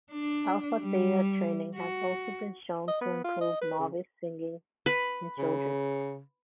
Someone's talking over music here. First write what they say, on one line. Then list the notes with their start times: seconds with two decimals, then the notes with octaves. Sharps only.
Alpha-theta training has also been shown to improve novice singing in children.
0.12 D4
0.82 G3
1.76 F#4
2.88 D#5
3.01 B3
3.24 F4
3.41 D#5
3.61 B4
3.79 C#3
4.86 B4
5.39 C#3